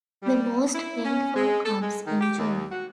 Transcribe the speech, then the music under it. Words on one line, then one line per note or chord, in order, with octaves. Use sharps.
The most rainfall comes in June.
G3
E4
C#4
G#3
A4
G#3
D#3
G4
D#2
F#4